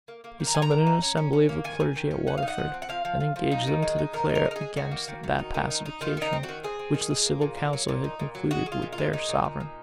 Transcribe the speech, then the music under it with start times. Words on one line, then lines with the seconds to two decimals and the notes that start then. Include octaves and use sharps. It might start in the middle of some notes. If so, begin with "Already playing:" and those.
He summoned an assembly of the clergy at Waterford, and engaged them to declare against that pacification which the civil council had concluded with their sovereign.
0.08 A#3
0.24 A#3
0.40 D#3
0.47 A#5
0.55 D#3 G#5
0.62 A#5
0.71 A#3
0.87 D#4
1.02 C#4
1.17 C#4
1.33 C#4
1.49 A#3
1.64 D#3 G#5
1.80 D#3
1.96 D#3
2.11 C#4
2.27 D#4 F#5
2.37 F5
2.42 D#4
2.48 F#5
2.58 F3
2.74 C4
2.82 F#5
2.89 F3 F5
3.05 F3
3.20 F3
3.36 F3
3.52 D#4
3.67 D#3
3.82 G#3
3.98 D#4
4.13 D#3 A#4
4.29 D#4
4.35 A#4
4.45 G#3
4.51 A#4
4.56 G#4
4.61 G#3
4.76 D#3 F#4
4.91 A#3
5.08 D#3
5.23 D#3
5.39 D#4
5.54 D#3
5.70 D#4
5.86 D#4
6.01 D#3 F4
6.17 D#3 D#4
6.33 C4
6.43 F#4
6.49 D#3
6.63 C4 G#4
6.79 C4
6.94 D#3
7.11 G#3
7.26 A#3
7.41 A#2
7.57 A#3
7.73 F#3
7.88 A#2
8.04 D#4
8.19 A#2
8.35 F#3
8.51 G#3 F#4
8.66 G#3
8.72 F4
8.82 A#2
8.93 F4
8.98 G#3
9.13 A#2 D#4
9.29 A#2
9.45 A#2
9.60 A#2